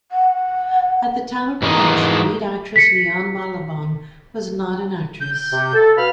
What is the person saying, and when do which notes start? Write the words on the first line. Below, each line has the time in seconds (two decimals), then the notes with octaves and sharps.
At the time of production lead actress Liane Balaban was not an actress.
0.12 F#5
1.62 G#2 E3 G#3 A#4 D#5
2.76 B6 C#7
5.21 G6
5.34 G6
5.51 C3
5.74 A4
5.97 B2 F5 B5 F6